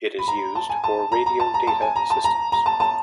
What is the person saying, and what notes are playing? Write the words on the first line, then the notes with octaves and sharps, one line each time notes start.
It is used for radio data systems.
B5
A#5
A5
G#5
A5
A#5
A#5
A5
A#5
A5
G#5
A#5
A5
A#5
A#5
A5
A5